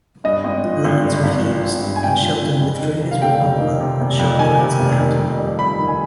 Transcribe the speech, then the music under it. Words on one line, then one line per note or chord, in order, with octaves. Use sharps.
Lyons refused, and Sheldon withdrew his revolver and shot Lyons in the abdomen.
G2 D#5
G#1
F3
G#1
G2
G#1
F3
G#1
G2
G#5
G#1 G5
F3
G#1
F2
D#3
C3
F5
F1 G5
F2
D#3
C3
F1
F2
D#3 G#5
C3
F1
D#3
F2
G3
F2 B5
D#3
G#5